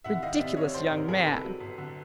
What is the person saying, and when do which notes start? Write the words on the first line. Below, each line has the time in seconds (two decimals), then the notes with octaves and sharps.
Ridiculous young man!
0.04 C2 E5 F#5
0.22 D#3 D#5 F5
0.39 C3 D5 E5
0.57 C2 C#5 D#5
0.73 D#3 C5 D5
0.91 C3 A#4 C5
1.08 C2 G#4 A#4
1.26 C3 A4 B4
1.43 F#3
1.60 G1
1.78 D3